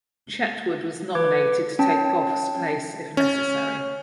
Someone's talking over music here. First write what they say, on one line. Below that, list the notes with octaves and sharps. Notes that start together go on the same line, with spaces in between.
Chetwode was nominated to take Gough's place if necessary.
B4 D6 G#6
C#4 G5 A5
C#4